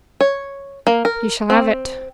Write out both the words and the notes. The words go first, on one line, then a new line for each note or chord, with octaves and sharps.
You shall have it.
C#5
A#3
A#4
C4